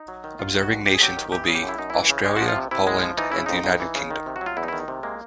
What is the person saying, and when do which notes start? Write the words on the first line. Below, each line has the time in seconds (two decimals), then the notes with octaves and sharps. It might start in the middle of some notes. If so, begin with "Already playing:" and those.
Observing nations will be: Australia, Poland, and the United Kingdom.
Already playing: D#4
0.08 F#3
0.24 D#3
0.39 F#3 F4
0.55 D#3
0.63 F#4
0.70 G2
0.85 G2 G4
0.94 G#4
1.01 F#3 G4
1.17 D#3
1.32 E3 G4
1.44 C#3 G#4
1.55 G4
1.63 F#2
1.69 E4
1.78 F#2 D#4
1.90 E3 E4
2.10 C#3
2.25 G#3 G4
2.36 F3 F#4
2.48 F4
2.56 C3
2.71 C3 E4
2.87 G#3
3.02 F3
3.17 E3 D#4
3.32 C#3 E4
3.46 F2 D#4
3.64 F2
3.80 E3
3.95 C#3
4.10 D#3
4.26 C3
4.36 F#4
4.41 F#3
4.46 F4
4.57 E2 E4
4.63 D#4
4.68 D#3 E4
4.80 D#4
4.88 C3
5.03 G#3 A#3